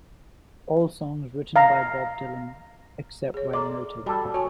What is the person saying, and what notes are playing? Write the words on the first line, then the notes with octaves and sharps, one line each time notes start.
All songs written by Bob Dylan, except where noted.
F5 A#5
G#4 C#5
A4 D5 A#5 C6
G3 F#4 A4 A5 B5
F#4 C#5 G#5 A5